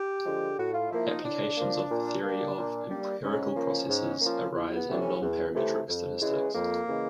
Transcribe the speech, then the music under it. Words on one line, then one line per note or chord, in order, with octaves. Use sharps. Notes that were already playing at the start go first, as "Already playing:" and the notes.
Applications of the theory of empirical processes arise in non-parametric statistics.
Already playing: G4
D3 F3 G#3
A2 F#4
F4
F3 A#3 E4
D#4
A2 D4
F3 A#3
A#2
G3 A#3
A#2
G3 A#3
G#2 C#4
F3 A#3
G#2
F3 A#3
E2
B3
C3 E3 A3 D4
C#4
E2
C3 E3 A3
F2
C#3 E3 G#3
F2 A#3
C#3 E3 G#3